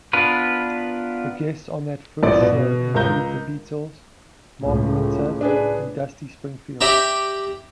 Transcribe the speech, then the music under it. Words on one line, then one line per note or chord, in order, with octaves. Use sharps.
The guests on that first show included The Beatles, Mark Wynter and Dusty Springfield.
B3 D4 F4 A#4 B4
A#1 A2 D5
B2
C#2 A#4 A#5 G6
C#2 A2
D4 G#4 B4
G4 D5 E5 A#5